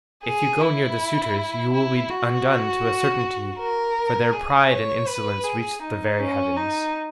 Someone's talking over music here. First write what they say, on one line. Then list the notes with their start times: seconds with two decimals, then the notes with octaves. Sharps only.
If you go near the suitors you will be undone to a certainty, for their pride and insolence reach the very heavens.
0.24 G#4
0.61 E4
1.73 E4
2.10 F#4
3.59 A#4
4.32 G#4
4.70 C#5
5.07 B4
5.44 G#4
5.82 D#4
6.19 C#4
6.56 D#4